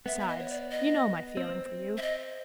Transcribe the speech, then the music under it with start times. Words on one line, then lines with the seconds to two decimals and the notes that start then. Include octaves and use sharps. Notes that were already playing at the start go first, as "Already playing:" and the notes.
Besides, you know my feeling for you.
0.06 B3 E5
0.19 E5
0.28 D#5
0.39 C#5
0.50 D5
0.71 D#5
1.37 C4
1.97 E5
2.02 D#5